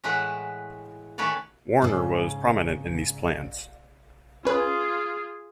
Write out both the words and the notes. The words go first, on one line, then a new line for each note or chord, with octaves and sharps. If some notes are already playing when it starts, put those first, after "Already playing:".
Warner was prominent in these plans.
A2 E3 G#3 A3 B4 F#5
D#3 A3 C#4 B4 C#5 D5
G#2 C#3
C#4 F4 G#4 B4